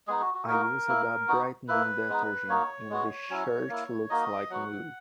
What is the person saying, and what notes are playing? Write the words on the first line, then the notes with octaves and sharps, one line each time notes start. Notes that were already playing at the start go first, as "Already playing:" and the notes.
I used a brightening detergent and the shirt looks like new.
G#3 B3 D#4 G#4
F#4
F#4
A#3 D#4 F#4 A#4
A#3 E4
B3 D#4 F#4
A#3 E4 B4
G#3 B3 D#4
A#3 D#4 F#4 C#5
G#3 B3 F#4
F#3 C#4 E4 C#5
A#3 E4
A#3 D#4 F#4 D#5
F#3 B3 F#4 F#5